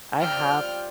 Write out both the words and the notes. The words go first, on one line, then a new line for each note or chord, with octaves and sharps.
I have
G3 C4 F4 G5 F6